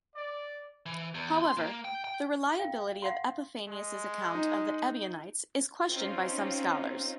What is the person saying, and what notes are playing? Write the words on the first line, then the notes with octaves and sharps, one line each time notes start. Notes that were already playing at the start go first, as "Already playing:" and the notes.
However, the reliability of Epiphanius' account of the Ebionites is questioned by some scholars.
D5
E3
E2
C6
A#3
G5
G5
F5 G5
F5 F#5 C6
G#3
D#4
C4 C#4 D#4 F4